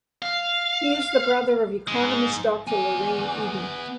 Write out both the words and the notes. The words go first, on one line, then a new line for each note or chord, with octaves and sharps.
He is the brother of economist Doctor Lorraine Eden.
F5
G#2 G#3
B3 G#5